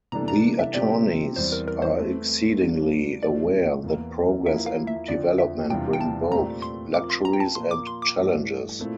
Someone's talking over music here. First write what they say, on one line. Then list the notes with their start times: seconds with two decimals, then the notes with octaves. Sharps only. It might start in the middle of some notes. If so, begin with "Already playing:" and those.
The attorneys are exceedingly aware that progress and development bring both luxuries and challenges.
0.12 C3 E3 G3 D4 A4 A#5
0.28 A#5
0.59 E5
0.74 C3 F3 C4 G4 D5
1.36 E2 E3 G3 C4 C5
1.52 A#4
1.68 A#4
1.82 C5
1.98 E3 A3 C4 E4
2.60 E3 G3 A#3 D4
3.23 A#2 F3 A3 E4 D5
3.84 E2 E3 A#3
4.46 F3 A#3 E4 E5
4.66 F5
4.87 E5
5.08 F2 D3 F3 D5
5.38 E5
5.70 E2 C3 G3 D4 F4 G5
5.93 G5
6.01 A5
6.32 A#2 A3 C4 G4 D5 A#5
6.62 C6
6.94 F3 C4 F4 A#4 D6
7.10 C6
7.25 A#5
7.33 G5
7.40 A5
7.55 A#2 C6
7.58 F3 A#3
7.71 D6
7.87 C6
8.02 D6
8.17 G2 E3 A3 D4 G4
8.79 A#2 A3 C4 E4